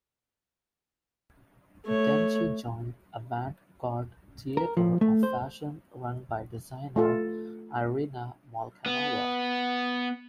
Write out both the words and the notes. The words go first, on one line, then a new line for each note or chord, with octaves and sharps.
Then she joined Avant-garde Theatre of fashion run by designer Irina Molchanova.
A3 C#5
A#4
F3
A3
C5
A3 F4 A4
B3